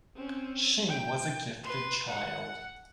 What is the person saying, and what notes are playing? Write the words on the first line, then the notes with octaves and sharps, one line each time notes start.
She was a gifted child.
C4 C#4
G5
B4 C6
F#5